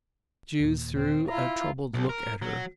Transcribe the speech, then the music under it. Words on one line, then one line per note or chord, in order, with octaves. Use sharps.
Jude threw a troubled look at her.
D#2 A#2
C4
E4 F4 A#5
B1
A#4
F#3